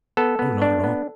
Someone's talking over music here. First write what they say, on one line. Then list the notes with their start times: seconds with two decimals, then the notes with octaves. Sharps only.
'O--not at all.
0.17 B3 A4
0.39 B3
0.62 D4
0.84 B3